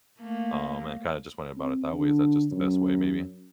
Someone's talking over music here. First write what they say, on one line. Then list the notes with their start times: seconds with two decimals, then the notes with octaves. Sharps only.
Um, and kinda just went about it that way. Is that just the best way maybe?
0.18 A3 A#3
1.57 C4
1.92 D3
2.52 F#2